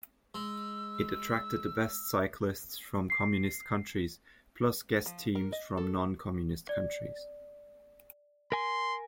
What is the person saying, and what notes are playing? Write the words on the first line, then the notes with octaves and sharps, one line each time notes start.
It attracted the best cyclists from communist countries, plus guest teams from non-communist countries.
G#3 E6
C7
F3
A#4
D#5
A4
D5
A#4 G#5 C6